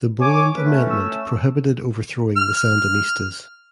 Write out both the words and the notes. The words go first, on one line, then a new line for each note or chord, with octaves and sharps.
The Boland Amendment prohibited overthrowing the Sandinistas.
C#5 G#5 D6
A3 C#4 B4
E6
F6